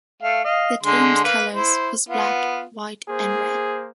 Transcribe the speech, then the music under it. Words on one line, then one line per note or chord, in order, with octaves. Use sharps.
The team's colours was black, white and red.
A3 F5
D#5 F5
D3 G#3 C6
A#3 B4
E4 C5
B3 F4
A#3 G#4 C5